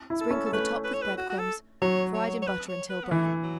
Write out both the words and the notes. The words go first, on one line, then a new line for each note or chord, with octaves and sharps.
Sprinkle the top with bread-crumbs fried in butter until brown.
E4
A4
C#4
A4
A3 B4
B4
C#5
B4
F#4
F#4
A4
F#3 C#5
C#5
C#5
B4
C#5
B4
B3
E3 A3
F#3